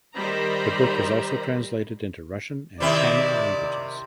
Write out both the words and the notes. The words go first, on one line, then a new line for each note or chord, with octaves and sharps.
The book was also translated into Russian and Tamil languages.
D#3 G3 C5 D#5 A#5 B5
C3 D#3 E4 D5